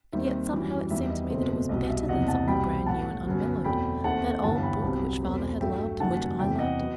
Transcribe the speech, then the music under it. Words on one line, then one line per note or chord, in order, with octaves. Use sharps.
And yet somehow it seemed to me that it was better than something brand new and unmellowed--that old book which father had loved and which I loved.
D#2 D#3 G3 C4 E5
F#2 E3 G3
E2 D#3 G3 B3 E5
D#5
F#1 E2 B2 A3 C4
C2 B2 G3 D#5
E5
F#1 E2 C3 E3 D#5 F#5
F#5 A5
C2 B2 G3 C4 G5 B5
B1 A2 F#3 F#5 A5
G1 F#2 F#3 B3
E2 B2 A3 C4 G5 B5
D#2 D#3 A3 C4 F#5 A5
G1 G2 E3 B3 F#5 A5
G5 B5
C2 C3 F#3 B3
E2 B2 A3 C4
G2 F#3 A3 E5 G5
F#1 F#2 D#3 G3 F#5 A5
E2 C3 E3 E5 G5
D#5 F#5
F#3 B3